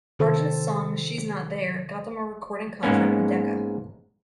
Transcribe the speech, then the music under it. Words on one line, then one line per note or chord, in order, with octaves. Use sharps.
Argent's song "She's Not There" got them a recording contract with Decca.
C3 D#3 C4 A4 C5
G#2 G#3 A#3 B3 C#4